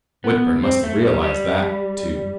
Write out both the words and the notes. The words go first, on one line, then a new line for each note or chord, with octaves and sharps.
Whitburn must have realized that, too.
B3
C4
A3
G3
G3